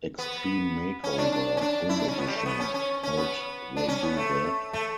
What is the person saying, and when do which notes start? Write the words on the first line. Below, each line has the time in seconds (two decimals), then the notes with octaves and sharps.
Extreme Makeover: Home Edition: How'd They Do That?
0.19 B3
1.04 C#4
1.18 D4
1.32 D4
1.57 C#4
1.61 D4
1.89 E4
1.99 D4
2.08 C#4
2.18 B3
2.27 G3
2.36 A3
2.46 B3
2.60 C#4
2.74 C#4
3.03 C#4
3.17 B3
3.77 D4
3.88 C#4
4.03 B3
4.17 A3
4.73 A3